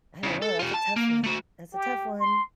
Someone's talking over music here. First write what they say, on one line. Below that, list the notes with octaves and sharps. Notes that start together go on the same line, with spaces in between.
I don't know. That's a tough one. That's a tough one,
C#3 E3
A4
F4 G4
A5
A#3
A3 F#4
G4
C6